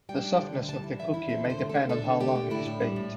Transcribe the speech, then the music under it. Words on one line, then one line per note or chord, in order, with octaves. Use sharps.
The softness of the cookie may depend on how long it is baked.
G3 G5
D4
D3
D2
G3 A5
E4
E3 E5
E2 E4
C4 A4
D3 C5
A3
A4
D3
D4 A4
D3
A3 G4
D3
D4 E4
A2
G3
A2